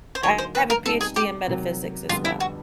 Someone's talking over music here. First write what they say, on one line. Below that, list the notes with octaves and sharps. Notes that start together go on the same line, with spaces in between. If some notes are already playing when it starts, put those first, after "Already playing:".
I have a PhD in metaphysics, as well.
C5
D3 F#3 A#3 D#4 F#4 C#5
C5
B4
A#4
B2 G3 C4 D#4 A4
G#4
G4
C3 D#3 F#3
F2 D3 G3 B3 F4
E4
F#4